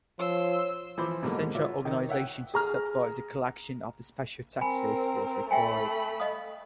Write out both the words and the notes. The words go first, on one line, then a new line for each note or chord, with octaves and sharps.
A central organisation to supervise the collection of the special taxes was required.
F3 C#5 C6 E6
E3 F3 C5 B5 D6
G#2 B2 D3 F#3 G3 A#3
F4 F#4 C#5 E5 D6
D#3
C#5 E5 F#5 G5
G#4 A#5 F6
C4 A#4 G#5 B5
A3 E5 G5 G#5 B5
D#5 F5 D#6